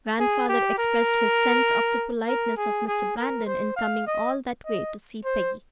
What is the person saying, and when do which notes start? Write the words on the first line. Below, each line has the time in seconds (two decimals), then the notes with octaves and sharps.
Grandfather expressed his sense of the politeness of Mr. Brandon in coming all that way to see Peggy.
0.20 G#4
0.49 G4
0.78 A#4
2.28 A#4
2.57 G#4
2.87 G#4
3.17 A#4
3.46 C5
3.76 F5
4.06 D#5
4.65 D#5
5.25 C5